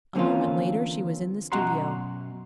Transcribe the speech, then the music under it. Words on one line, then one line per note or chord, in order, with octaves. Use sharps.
A moment later she was in the studio.
E2 D3 A#3 C4 C#4 F4
F#2 B2 F#4 F#5 A#5 C6